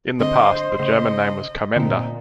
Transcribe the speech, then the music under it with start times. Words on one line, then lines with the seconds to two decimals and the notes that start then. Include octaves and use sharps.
In the past the German name was "Commenda".
0.20 D3 G#3 C4 C5 D#5
0.79 A2 C#3 D#5
1.76 A#2 D3 C4 D#4 E4